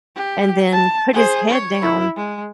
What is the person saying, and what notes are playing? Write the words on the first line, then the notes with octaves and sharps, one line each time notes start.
and then put his head down
G4
A5
G#4 C5
C#5
E4
G#3